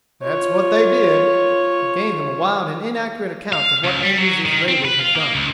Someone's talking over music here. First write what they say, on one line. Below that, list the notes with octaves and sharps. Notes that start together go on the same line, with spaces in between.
"That's what they did!" He gave them a wild and inaccurate account of what Andrews' raiders had done.
F4 C#5
F5
C#2
G3
F#3
D#3
C4
B4
F4
A#3
C#2